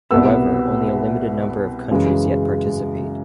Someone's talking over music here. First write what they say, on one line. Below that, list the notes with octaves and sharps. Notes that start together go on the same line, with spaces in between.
However, only a limited number of countries yet participate.
C2 B2 G3 B3 E6
F#2 C#3 E3 G#3